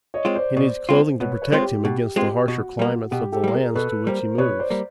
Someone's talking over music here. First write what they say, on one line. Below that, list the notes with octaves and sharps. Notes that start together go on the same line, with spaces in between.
He needs clothing to protect him against the harsher climates of the lands to which he moves.
C#5 D#5
G#3 C4 F4
C5 D5
B2 C5 D5
G#3 C4 F4
B2 B4 C#5
B4 C#5
G#3 C4 F4
G4
B2 G4
G#3 C4 F4 G4
B2 F#4
G3 A#3
B2 G4
G4 A4
G3 A#3
G#4 A#4
B2 A4 B4
G3 A#3 A#4 C5
B2 B4 C#5
C5 D5
G3 A#3